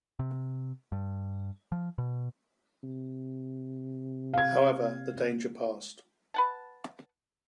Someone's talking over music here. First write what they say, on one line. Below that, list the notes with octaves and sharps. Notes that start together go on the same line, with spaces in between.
However, the danger passed.
C3
G2
F3
B2
C3
F5 G#6
B4 F#5 A5